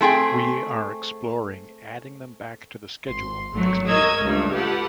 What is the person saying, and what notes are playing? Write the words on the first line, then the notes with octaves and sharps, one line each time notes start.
We are exploring adding them back to the schedule next year.
A3 C4 G#4 G5
G#1 C6
G#1 F#3 A3
A#4 D#5 C#6 E6 G#6
C#2 G2 A3
F4 G4 A4 B4 F#5